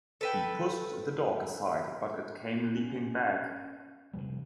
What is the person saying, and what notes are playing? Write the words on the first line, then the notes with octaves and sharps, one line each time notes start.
He pushed the dog aside, but it came leaping back.
A4 B4 G5
C#4
G2 C3 F3 G3